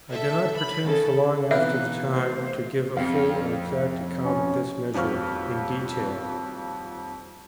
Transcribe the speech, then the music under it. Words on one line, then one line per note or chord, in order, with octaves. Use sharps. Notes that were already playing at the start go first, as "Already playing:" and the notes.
I do not pretend, so long after the time, to give a full or exact account of this measure in detail.
A4 E5
B5
C#3 A4
B2 E3 C4 D#4 B4 E5 F5 F#6
A3 C5
F2 C4 F5
C#4
D#1 F2 F3 F#4 C#6 F6